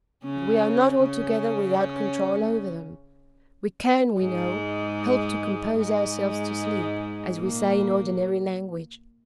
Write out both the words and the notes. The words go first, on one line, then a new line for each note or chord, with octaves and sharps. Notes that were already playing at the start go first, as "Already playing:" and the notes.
But we are not altogether without control over them. We can, we know, help to compose ourselves to sleep, as we say in ordinary language.
C#3 C#4
C#3 C#4
G#2 G#3
G#2 G#3
A#2 A#3